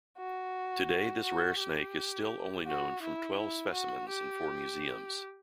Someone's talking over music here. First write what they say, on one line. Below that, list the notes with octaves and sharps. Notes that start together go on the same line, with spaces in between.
Today this rare snake is still only known from twelve specimens in four museums.
F#4
F#4
G4
F#4
E4
E4
F#4
G4